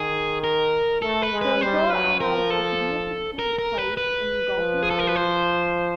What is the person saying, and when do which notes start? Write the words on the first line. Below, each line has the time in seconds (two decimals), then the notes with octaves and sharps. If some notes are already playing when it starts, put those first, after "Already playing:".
The resort has a significant place in golf history.
Already playing: D#3 G#4
0.44 A#4
1.02 A3 A4
1.22 B4
1.32 G#3
1.41 B4
1.61 G3 C5
1.90 F#3 B4
2.20 F3 A#4
2.50 A4
3.39 A#4
3.59 A#4
3.78 B4
3.97 B4
4.56 F3
4.83 G#4
4.91 A4
4.99 A#4
5.07 B4
5.16 C5